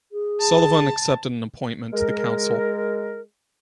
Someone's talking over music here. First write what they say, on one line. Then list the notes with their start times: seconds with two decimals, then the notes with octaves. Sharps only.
Sullivan accepted an appointment to the council.
0.12 G#4
0.40 A5
1.92 G#3 A#4